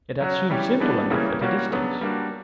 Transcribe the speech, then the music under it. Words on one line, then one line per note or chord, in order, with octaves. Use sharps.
It had seemed simple enough at a distance.
F#3 C#4 F#4
E3 G3 C#4 G4
C#3 E3 G3 B3 D4
C#3 E3 G3 A#3 C#4
G3 A#3 C#4 F#4
C#3 F#3 B3 D4
G3 A#3 D4 F#4